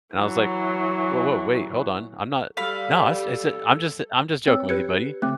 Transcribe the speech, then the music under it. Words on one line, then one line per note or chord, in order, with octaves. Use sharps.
And I was like, uh, "Woah, woah, wait, hold on, I'm not no," I s I said, "I'm just I'm just joking with you, buddy,"
E3 F#3
G3 A4 F5 B5
C4 B4 C#5 E6
G4 B4 G#6 C#7
C#3 A3 C4 D6 F#6